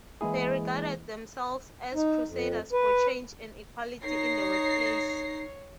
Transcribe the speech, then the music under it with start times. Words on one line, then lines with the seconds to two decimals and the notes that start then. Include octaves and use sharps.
They regarded themselves as crusaders for change and equality in the workplace.
0.21 E3 G#3 A#3 E4 G#4
1.94 D#4
2.28 F2
2.73 B4
4.04 D#4 C#5 A#6 C7